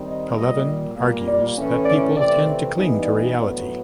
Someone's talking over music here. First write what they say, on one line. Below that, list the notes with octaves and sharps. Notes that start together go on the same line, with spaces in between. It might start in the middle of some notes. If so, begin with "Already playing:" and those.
Pelevin argues that people tend to cling to reality.
Already playing: D#3 G3 C4 D#4
D#5
A#2 G3 A#3 D#5
A#2 G3 A#3
D5
A2 E3 A3 C#4
D5
C3 E3 A3 C4 D5
E3 G3 B3 D#4
D5
A2 F#3 B3 D5